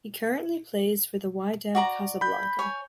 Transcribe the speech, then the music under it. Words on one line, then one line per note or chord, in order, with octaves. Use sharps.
He currently plays for Wydad Casablanca.
F#4 D5 A#5
B5 G6
C#5 G#5